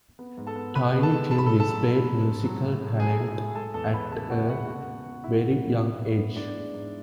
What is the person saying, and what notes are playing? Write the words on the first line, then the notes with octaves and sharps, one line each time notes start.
Tiny Tim displayed musical talent at a very young age.
B3
G#2
A4 A5
B3
B3 B4 B5
B3
A4 A5
G#3
G#2 A5
B5
G#2 A4 A5
A4 A5
F#3
G#2
G#2
G#2
F#3
A2
A2
F#3 G#4 G#5
A2
G#4 G#5
A2
G#3 A4 A5
E2 A4 A5
G#3 B4 B5
C#3 A4 A5
E2 F#4 F#5
E5
G#3 F#4 F#5
C#3 F#4 F#5
B3
C#3
C#3 E4 E5
F#3
E2
G#2
B3
G#2
G#3 D4 D5
G#3
G#2